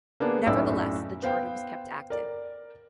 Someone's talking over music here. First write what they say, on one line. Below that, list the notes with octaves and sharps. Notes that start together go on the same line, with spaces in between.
Nevertheless, the charter was kept active.
A#3 B3 D4 G#4
B1 F#2 A2 D5 E6
B3 C5 F5 G5
A#4 D5